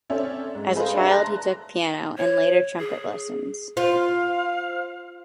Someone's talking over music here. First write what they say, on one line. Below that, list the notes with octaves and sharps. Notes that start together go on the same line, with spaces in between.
As a child he took piano and later trumpet lessons.
C4 C#4 A4 D5 E5
G#2
G#4 A4 B4 C5 D#5 F5
D4 G#4 B4 D5 E5
A5 A#5 C6 F#6 A#6
C#5
G#4
F4 C5 F5